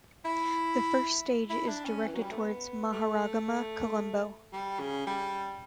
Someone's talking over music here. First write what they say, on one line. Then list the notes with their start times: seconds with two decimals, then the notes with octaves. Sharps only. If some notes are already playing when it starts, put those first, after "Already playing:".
The first stage is directed towards Maharagama - Colombo.
0.25 E4
1.49 E4
1.68 D4
1.85 C#4
2.07 E3
2.14 F#3
2.23 G3
2.31 A3
2.38 B3
2.92 A3
4.53 G3
4.79 C#3
5.07 G3